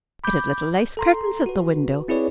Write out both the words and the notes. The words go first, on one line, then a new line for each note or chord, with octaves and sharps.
It had little lace curtains at the window.
B5 D6 G6
A4 A#5 C6
F#4 B4
C4 E4 G#4 B4 C#5 D5